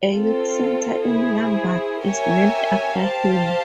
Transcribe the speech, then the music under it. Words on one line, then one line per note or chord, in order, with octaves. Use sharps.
A youth centre in Lambeth is named after him.
C4 F4 A4
E4 G#4 C5
G4 A#4 C#5 E5 G#5
G4 C5 F5 A5